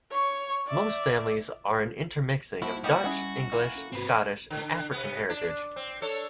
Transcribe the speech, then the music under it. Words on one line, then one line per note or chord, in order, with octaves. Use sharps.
Most families are an intermixing of Dutch, English, Scottish, and African heritage.
C#5 C#6
D5 E5
F3 G3 A#3 E4 F#4
B3 D#4 F#4 G4
G3 C#4 E4 G#4 F#5
E3 A#3
C#4 A4
G#2 C3 C4 F#4 B4
D3
C3 B3
D4
C4
D4 A4 C#5